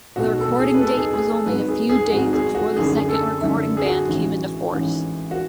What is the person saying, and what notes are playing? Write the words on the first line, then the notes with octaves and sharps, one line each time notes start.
The recording date was only a few days before the second recording ban came into force.
B1 B2 A3 F#4
A4
G#4
B4
B1 B2 A3 A4
G#4
G#4
A4
G#1 G#2 F#3 B3 B4
G#4
G#4
G#4
G#1 G#2 F#3 B3 F#4
G#4
F#4
F#2 D3 F#3 G#4
G#4
A4
F#2 D3 F#3 E5
G#4
F#4
A1 G#2 E3
A1 G#2 E3
F#4